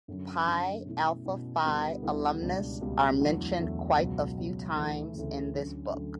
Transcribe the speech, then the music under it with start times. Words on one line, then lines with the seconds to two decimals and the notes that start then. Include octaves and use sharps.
Pi Alpha Phi Alumnus are mentioned quite a few times in this book.
0.08 F#2 D3 F#3 C#4
0.47 F#2 D3 F#3 C#4
0.85 B2 A3 C#4 E4
1.25 B2 A3 C#4 E4
1.64 D2 D3 G3 B3 E4
2.02 D2 D3 G3 B3 E4
2.42 C#2 B2 G3 D4
2.81 C#2 B2 G3 D4
3.20 E2 D3 F#3 A3 E4
3.59 E2 D3 F#3 A3 E4
3.98 C#2 B2 F#3
4.36 C#2 B2 F#3
4.75 D2 C#3 E3 A3
5.15 D2 C#3 E3 A3
5.53 D2 D3 F#3 C#4
5.93 D2 D3 F#3 C#4